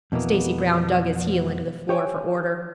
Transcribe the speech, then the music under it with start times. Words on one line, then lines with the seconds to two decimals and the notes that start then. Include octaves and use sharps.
Stacy Brown dug his heel into the floor for order.
0.12 F2 B2 E3 A#3 B3
1.89 G4 C#5 D#5 G5 G#5